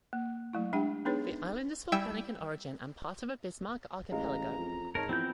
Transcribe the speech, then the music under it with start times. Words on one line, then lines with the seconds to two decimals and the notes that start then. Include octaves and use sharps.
The island is volcanic in origin and part of the Bismarck Archipelago.
0.13 A#3
0.53 F#3 A3 E4
0.73 G#3 D4 G4 F#5 G5
1.05 B3 D4 D#4 G#4 B4 C#5
1.92 G3 E4 E5 G5 G#5 E6
4.12 A1 G#3 F5 A#5
4.58 F2
4.95 G#2 A#4 C#5 A5
5.09 E3 F3 B3 C4 B5 G6